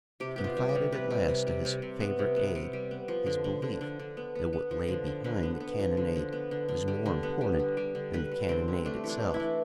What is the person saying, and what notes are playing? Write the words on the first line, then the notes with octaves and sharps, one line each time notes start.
He confided at last to his favorite aide his belief that what lay behind the cannonade was more important than the cannonade itself.
C3 G4
B3 G4
F4
G3
G4
C3
C3 B4
G3
C3
G3
C3
C3
B3
C3
B3
C3
G3
B3
F3
D3
D3
D3
D3
D3
B3
B3
B3
F3
D3
D3
D3 B4
B3
B3
F3
D3
D3
B3
D3
D3
G3
D3
B3
G3
D3
G3
D3
D3 B4
D3
D3 C4
G3
A3 D4
E3
D4
A3
E4
E3